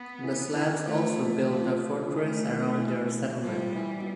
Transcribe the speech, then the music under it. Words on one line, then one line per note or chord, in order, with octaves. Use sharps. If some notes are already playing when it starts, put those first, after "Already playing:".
The Slavs also built a fortress around their settlement.
Already playing: B3
E3
E3
F3 A3
F3
F3
F3
E3 A3
D3
E3
F3 G3
E3
B2